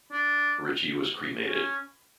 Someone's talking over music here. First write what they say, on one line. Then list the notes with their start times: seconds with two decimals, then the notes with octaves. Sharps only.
Ritchie was cremated.
0.12 D4
1.47 C#4